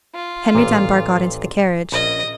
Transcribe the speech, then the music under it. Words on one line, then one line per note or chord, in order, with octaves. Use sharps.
Henry Dunbar got into the carriage.
F4
A1 A#2
A#1 C#4 D#5